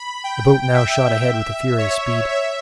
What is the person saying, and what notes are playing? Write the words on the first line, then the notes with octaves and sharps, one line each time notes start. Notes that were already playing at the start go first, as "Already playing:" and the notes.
The boat now shot ahead with furious speed.
Already playing: B5
G5
E5
C#5
E5